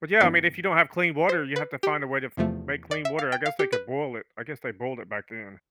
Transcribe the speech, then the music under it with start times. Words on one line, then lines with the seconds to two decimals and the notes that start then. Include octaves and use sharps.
But, yeah, I mean, if you don't have clean water, you have to find a way to f make clean water. I guess they could boil it. I guess they boiled it back then.
0.21 G2 E3 B3 D4 D5
1.29 C5
1.56 B4
1.83 G4
2.37 E2 C3 F3 A3
2.91 D5
3.05 E5
3.19 F5
3.32 G5
3.46 F5
3.59 G4
3.72 B4